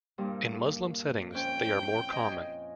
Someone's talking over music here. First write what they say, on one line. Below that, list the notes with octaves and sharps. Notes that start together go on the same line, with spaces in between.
In Muslim settings they are more common.
G2 A#2 G3
F2 C#4 G5
D#5 G#5